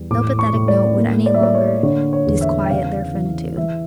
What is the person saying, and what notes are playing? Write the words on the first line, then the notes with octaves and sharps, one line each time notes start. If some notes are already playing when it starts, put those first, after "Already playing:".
No pathetic note would any longer disquiet their finitude.
Already playing: E2 G3
A2 D6
C#6
A2
D5
A#3
D5
E5
A#3 D5
C#5
D3 C#5
C#5
E2
E5
G5
C#3 F5
E3
E3 E5